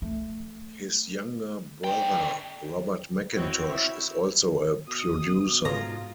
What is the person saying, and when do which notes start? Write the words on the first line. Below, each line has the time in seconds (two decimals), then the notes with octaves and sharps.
His younger brother, Robert Mackintosh, is also a producer.
0.02 A3
1.84 D3 G5
3.32 C4 E4 F#4 C#5 D#5 G5
3.66 E4 C#5 E5
4.87 B2 D#6
5.65 G#2 F4 A#5